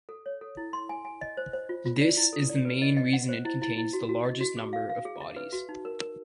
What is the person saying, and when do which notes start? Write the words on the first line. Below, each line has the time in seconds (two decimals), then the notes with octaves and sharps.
This is the main reason it contains the largest number of bodies.
0.09 A4
0.26 C#5
0.41 A4
0.57 E4
0.73 C6
0.89 G#5
1.05 G#5
1.21 D#5
1.37 C5
1.53 C5
1.69 F4
1.86 F4
2.01 D5
2.17 E4
2.33 A4
2.49 D5
2.65 B4
2.82 D#5
2.97 D#5
3.13 F#5
3.29 C5
3.45 E4
3.62 E4
3.77 E4
3.93 F#4
4.09 F#4
4.25 D#5
4.41 F#4
4.57 G#4
4.73 F5
4.90 F5
5.05 G#4
5.21 E5
5.36 B4
5.52 F#4
5.69 D#4
5.85 A#4
6.01 A#4